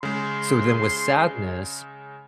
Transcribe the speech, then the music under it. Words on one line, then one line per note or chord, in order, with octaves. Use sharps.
so then with sadness,
C#3 G#3 C6